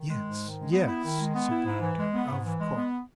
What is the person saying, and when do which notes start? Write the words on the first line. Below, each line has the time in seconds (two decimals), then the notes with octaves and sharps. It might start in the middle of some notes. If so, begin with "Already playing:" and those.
'Yes, yes,' said the undertaker,'of course.
Already playing: D#3
0.10 G#3
0.25 G#2
0.41 D#3
0.57 G#3
0.72 B3
0.88 E4
1.03 D#3
1.19 G#3
1.35 B3
1.51 E4
1.66 G#2
1.81 E3
1.98 G#3
2.13 B3
2.29 G#2
2.45 E3
2.60 G#3
2.76 B3